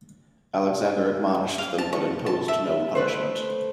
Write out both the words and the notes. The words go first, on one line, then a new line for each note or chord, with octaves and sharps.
Alexander admonished them but imposed no punishment.
F5
A5
C#6
A5
E5
A3 B4 C5